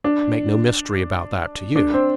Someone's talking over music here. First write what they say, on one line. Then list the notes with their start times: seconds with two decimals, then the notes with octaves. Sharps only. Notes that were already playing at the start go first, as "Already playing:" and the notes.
I make no mystery about that to you.
0.04 D4
1.76 D4
1.94 C4